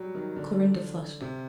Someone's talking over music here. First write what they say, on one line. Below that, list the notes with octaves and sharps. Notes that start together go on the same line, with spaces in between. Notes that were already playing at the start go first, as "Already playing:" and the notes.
Clorinda flushed.
Already playing: F#3 G3
D#3
D3
C3